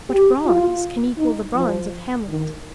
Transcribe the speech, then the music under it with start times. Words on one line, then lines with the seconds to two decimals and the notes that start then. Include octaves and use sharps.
What bronze can equal the bronze of "Hamlet"?
0.10 G4
0.45 F4
1.18 D#4
1.55 F3
2.28 D#3